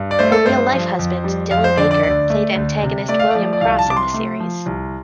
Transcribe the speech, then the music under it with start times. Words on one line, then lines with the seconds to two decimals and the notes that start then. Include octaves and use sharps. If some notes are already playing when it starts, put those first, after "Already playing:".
Her real-life husband, Dylan Baker, played antagonist William Cross in the series.
Already playing: G2
0.11 D5
0.19 A3 C5
0.32 A4
0.46 G2 C5
0.72 F3
0.99 F2
1.24 G3
1.51 F2 F5
1.64 C5
1.77 D3 D5
1.91 D5
2.03 D2 D5
2.30 A3
2.55 D2
2.82 C3
3.09 A3 D5
3.19 F5
3.30 F3 D5
3.53 D5
3.61 C2 F5
3.79 A5
3.88 C3 D6
3.97 C6
4.14 A3
4.40 F3
4.66 C2